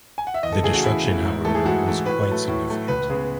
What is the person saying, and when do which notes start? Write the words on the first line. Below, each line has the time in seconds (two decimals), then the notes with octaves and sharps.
The destruction, however, was quite significant.
0.18 G#5
0.27 F#5
0.34 E5
0.43 E2 D#5
0.52 A4
0.63 C#3 E3 A3 G#4
0.74 F#4
0.84 E2 E4
1.04 C#3 E3 A3
1.25 G#2
1.45 E3 A3 A4
1.55 G#4
1.65 G#2 F#4
1.86 E3 A3
2.06 A2 B4
2.27 F#3 A3
2.48 A2
2.67 F#3 A3
2.88 C#2 B4
3.10 C#3 G#3 B3